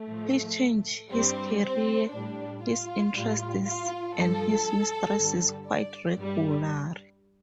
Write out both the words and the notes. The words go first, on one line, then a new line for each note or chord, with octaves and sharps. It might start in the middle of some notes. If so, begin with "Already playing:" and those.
He changed his career, his interests and his mistresses quite regularly.
Already playing: A3
A2 F3
G2 G3 C4
C4
A2 G3 D4
F4
A2 G3
F4
G2 F3 A4
G2 D3 G3
D5
G2 G3